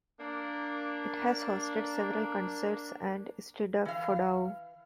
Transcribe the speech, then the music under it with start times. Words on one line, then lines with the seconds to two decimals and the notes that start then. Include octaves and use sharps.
It has hosted several concerts and eisteddfodau.
0.20 A#3 D4
3.85 E3 F5